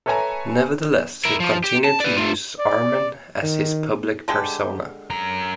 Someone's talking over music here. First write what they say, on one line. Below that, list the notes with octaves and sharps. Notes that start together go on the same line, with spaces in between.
Nevertheless, he continued to use "Arman" as his public persona.
A4 B4 C#5 E5 G#5 A#5
E4 A#4
F3
G4
A5
B4 D5
A3 F4
D5
D#3
D3 G#3 G4
F#2 A#5